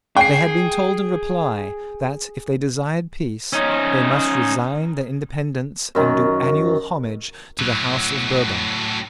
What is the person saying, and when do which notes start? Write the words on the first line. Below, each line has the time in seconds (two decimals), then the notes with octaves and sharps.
They had been told in reply that, if they desired peace, they must resign their independence and do annual homage to the House of Bourbon.
0.16 G#4 G5 C7
3.53 C#4 D#4
5.95 F#2 D#3 A#5
7.59 A2 F#3